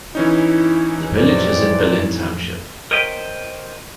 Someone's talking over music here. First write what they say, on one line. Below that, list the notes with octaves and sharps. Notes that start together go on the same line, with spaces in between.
The village is in Berlin Township.
E3 C#4 D#4 E4
F2 A2 C3 F#3 D5
A#4 C5 C#5 D#5 E5 G5